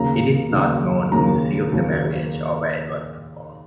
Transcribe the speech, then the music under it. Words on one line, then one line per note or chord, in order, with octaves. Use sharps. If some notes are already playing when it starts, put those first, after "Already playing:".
It is not known who sealed the marriage or where it was performed.
Already playing: D#2 C#3 F#3 A#3 A#5
D#2 C#3 F#3 A#3
D#2 C#3 F#3 A#3 A#5
D#2 C#3 F#3 A#3